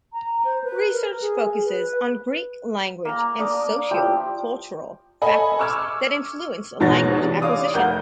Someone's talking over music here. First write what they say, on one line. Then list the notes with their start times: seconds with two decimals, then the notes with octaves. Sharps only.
Research focuses on Greek language and socio-cultural factors that influence language acquisition.
0.13 A#5
0.44 C5
0.64 B4
0.92 A#4
1.21 G#4
1.65 B4
3.05 A#3 A#5
3.39 A#3 D4 D6 D#6
3.91 F3 E4 G4
5.21 A4 D#5 G#5 B5
5.59 C#6 D6 E6 F6 G#6
6.80 E2 G#2 B2 C#5 A6 A#6
7.17 C3 E3 D4
7.42 C#5 D5 F5 D6 D#6
7.74 F1 A#4 F#5 G6